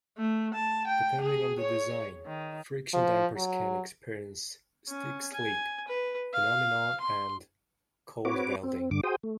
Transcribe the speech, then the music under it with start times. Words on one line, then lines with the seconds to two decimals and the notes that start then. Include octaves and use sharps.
Depending on the design, friction dampers can experience stick-slip phenomenon and Cold welding.
0.17 A3
0.54 A5
0.87 G5
1.21 G#4
1.60 C#5
2.26 D#3
2.93 F3
3.36 F#3
4.88 C#4
5.34 G#5
5.88 B4
6.33 F5
7.01 C6
8.25 C4 F#4 B4 C#5 D6
8.63 C4
8.91 G2 D3 D6
9.03 F#4 G#4 C5 G5 D#6
9.23 A3